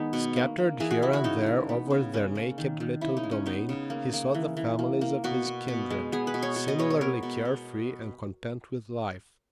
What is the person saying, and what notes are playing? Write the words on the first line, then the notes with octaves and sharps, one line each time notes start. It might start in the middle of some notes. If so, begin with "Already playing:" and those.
Scattered here and there over their naked little domain he saw the families of his kindred, similarly care-free and content with life.
Already playing: D#3 G#3 B3 D#4 G#4
B2
A#3
A#3
E3 G#4
F#4
E3 E4
F#4
C#3 D#4
G#3
B3
C#3
A#3 C#4
A#3
D#3
D#3
C#3 E4
D#4
G#3
C#4
B3 D#4
C#3
A#3
A#3
E3
E3
A#3
A#3
B2 F#4
B2
B2
G#3
B3 G#4
B4
B2
C#5
B2
D#5
G#3 C#5
C#5
B3 A#4
B2
B2